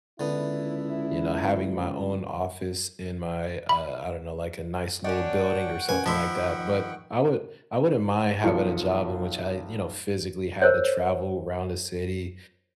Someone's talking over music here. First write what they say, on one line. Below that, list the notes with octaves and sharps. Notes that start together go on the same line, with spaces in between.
you know, having my own office in my, uh I don't know, like, a nice little building or something like that, but I would I wouldn't mind having a job in which I, you know, physically had to travel 'round the city,
C#2 D3 B3 E4
B5
C#4 D4 D#5 F#5 G5 C#6
C#4 A#4 B4 G#5
D#3 F3 E4 A5 C6
B1 F3 C#7
A#4 C5 C#5